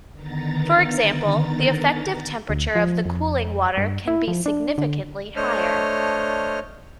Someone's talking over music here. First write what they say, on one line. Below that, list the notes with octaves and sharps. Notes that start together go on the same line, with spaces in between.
For example, the effective temperature of the cooling water can be significantly higher.
D3 D#3 B3 A#5 A6
D2
F3
F2
G2
E4
F3
D4
D3
A3 D4 C5 C#5 D#5 F6